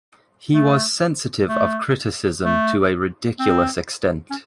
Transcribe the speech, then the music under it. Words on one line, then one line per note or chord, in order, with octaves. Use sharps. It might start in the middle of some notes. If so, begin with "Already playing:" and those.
He was sensitive of criticism to a ridiculous extent.
A3
A3
A3
C4
C#4